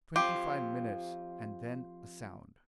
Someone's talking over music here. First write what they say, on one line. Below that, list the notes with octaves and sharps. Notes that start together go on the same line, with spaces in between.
Twenty-five minutes, and then a sound.
F2 F4 G4